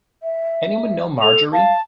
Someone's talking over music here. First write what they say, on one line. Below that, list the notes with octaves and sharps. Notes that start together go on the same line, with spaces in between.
Anyone know Marjorie?
E5
A4 F7
F5 A5